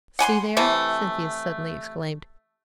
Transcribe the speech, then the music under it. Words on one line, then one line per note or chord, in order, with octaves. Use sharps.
"See there!" Cynthia suddenly exclaimed.
F#5 G#5 B5 C6
C3 E3 A3